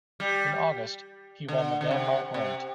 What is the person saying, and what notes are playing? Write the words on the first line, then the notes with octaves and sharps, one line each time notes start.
In August, he won the Danmark Rundt.
G3
D3
D3
C3
C3